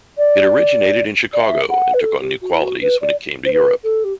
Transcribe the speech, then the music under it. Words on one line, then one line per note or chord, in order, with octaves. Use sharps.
It originated in Chicago and took on new qualities when it came to Europe.
D5
D5
E5
F#5
B4
A4
G4
F#4
E4
F#4
B4
D5
C5
B4
A4
G4